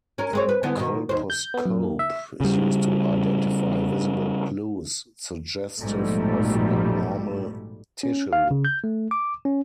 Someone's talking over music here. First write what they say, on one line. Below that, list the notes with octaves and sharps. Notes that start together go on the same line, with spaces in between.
A colposcope is used to identify visible clues suggestive of abnormal tissue.
C#4 A#4
G#3 C4 C#5
B4
D3 E3 B3
B2 D#3
D#2 C5
G6
B3
F#2
A#3
E5
C#3 G3
A#1 G#2 B2 F3 G3 A3
C#4
F5
C#3
G6
A3
D6
C#4